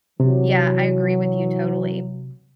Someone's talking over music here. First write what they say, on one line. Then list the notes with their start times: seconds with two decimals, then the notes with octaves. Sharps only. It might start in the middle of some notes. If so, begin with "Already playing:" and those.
Yeah, I agree with you totally.
0.20 C3 E3 F#3